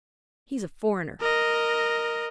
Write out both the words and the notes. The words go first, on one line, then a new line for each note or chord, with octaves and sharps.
He's a foreigner.
A#4 D#5